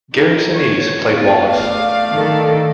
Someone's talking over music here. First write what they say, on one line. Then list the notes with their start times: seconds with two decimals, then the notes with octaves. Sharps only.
Gary Sinise played Wallace.
0.13 D#4 A#4
0.53 B3 C#5
1.13 B3 F4
1.49 A3 D5 F5
2.13 D#3 A4